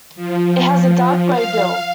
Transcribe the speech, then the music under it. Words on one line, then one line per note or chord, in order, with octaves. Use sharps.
It has a dark grey bill.
F3
F5